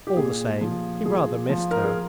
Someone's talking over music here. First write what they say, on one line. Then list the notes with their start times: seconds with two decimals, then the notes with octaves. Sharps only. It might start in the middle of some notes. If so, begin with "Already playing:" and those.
All the same, he rather missed her.
0.07 G4
0.17 A#2 G#4
0.61 F3
1.05 F3 G#4
1.50 F3
1.71 A#4
1.83 G#4